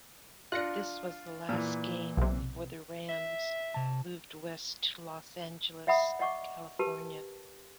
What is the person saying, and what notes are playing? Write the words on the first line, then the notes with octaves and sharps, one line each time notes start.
This was the last game before the Rams moved west to Los Angeles, California.
D4 F4 F#6 A#6 C#7
A#2 E3
B1 C3
E5
C3 A5
D5 E5 F#5 B5 D#6
D5 D#5 F#5 C#6 D6
G4 A#4 B4 A5